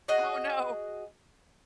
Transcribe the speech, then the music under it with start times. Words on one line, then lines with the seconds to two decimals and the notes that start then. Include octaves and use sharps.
Oh, no!
0.08 F#4 G#4 D#5 F#5